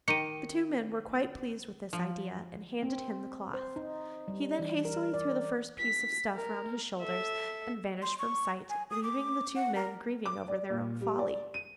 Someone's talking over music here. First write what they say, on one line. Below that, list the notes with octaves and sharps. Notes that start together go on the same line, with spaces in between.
The two men were quite pleased with this idea, and handed him the cloth. He then hastily threw the first piece of stuff round his shoulders and vanished from sight, leaving the two men grieving over their own folly.
D#3 G4 D#5 C#7 D#7
F3
C4
C5
D#4
G3
E3
A#4
D5
B6
A#4
A4 E5
C6
C#6
G#5
D#6
D6
F#5
A#4
D6
D5
A#2
G3
D5
D#7